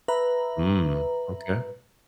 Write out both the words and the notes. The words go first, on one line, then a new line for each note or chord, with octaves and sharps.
Mm, okay.
B4 E5 A#5